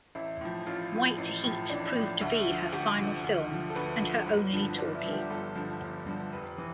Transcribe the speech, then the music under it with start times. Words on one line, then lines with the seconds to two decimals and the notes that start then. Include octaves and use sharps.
"White Heat" proved to be her final film, and her only talkie.
0.15 A1 E4
0.41 A2 F3
0.67 A1 F4
0.93 A2 F3
1.18 A1
1.44 A2 F3
1.69 A1 D4
1.96 A2 F3
2.21 D2 E4
2.47 D3 F3
2.72 D2 G4
2.99 D3 F3
3.24 D2
3.50 D3 F3
3.70 A4
3.75 D2 B4
4.02 D3 F3
4.27 G1
4.53 G2 D3 F3
4.78 G1 D4
4.95 E4
5.04 G2 D3 F3
5.13 G4
5.30 G1 A4
5.55 G2 D3 F3
5.81 G1
6.06 G2 D3 F3
6.33 F1 B4
6.58 E3